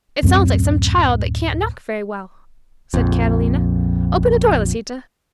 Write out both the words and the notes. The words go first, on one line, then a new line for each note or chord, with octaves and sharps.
"It sounds like some child that can't knock very well," said Catalina. "Open the door, Lisita!"
D1 F#2 G#3 C4
A#1 F2